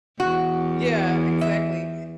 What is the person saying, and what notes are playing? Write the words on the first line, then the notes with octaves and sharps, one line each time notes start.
Yeah, exactly,
E2 F#4
E5